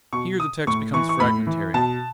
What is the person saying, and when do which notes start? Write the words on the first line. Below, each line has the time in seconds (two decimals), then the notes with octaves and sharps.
Here the text becomes fragmentary.
0.13 B2 C#6
0.40 D#6
0.67 A2 C#6
0.94 E3 C#6
1.09 C#6
1.20 A2 B5
1.47 E3
1.74 B2 A5